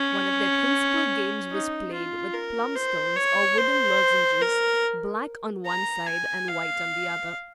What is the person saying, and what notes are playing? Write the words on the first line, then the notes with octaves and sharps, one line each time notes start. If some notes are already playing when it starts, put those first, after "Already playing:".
One of their principal games was played with plum-stones, or wooden lozenges, black on one side and white on the other.
Already playing: C#4
D#4
F4
A#4
C5
C#5
C5
A#4
A#5
G#5
F5